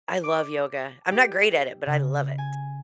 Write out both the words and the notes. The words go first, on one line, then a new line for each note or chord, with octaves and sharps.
I love yoga. I'm not great at it, but I love it.
D6
G4
C#3
G#5